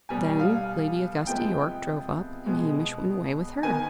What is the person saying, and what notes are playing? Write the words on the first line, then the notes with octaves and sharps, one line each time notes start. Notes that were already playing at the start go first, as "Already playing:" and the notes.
Then Lady Augusta Yorke drove up, and Hamish went away with her.
B2 G3 B3 G#5
F5
C3 F3 G#3 B3 G5
B2 G#3 B3
D#3 B3 G#5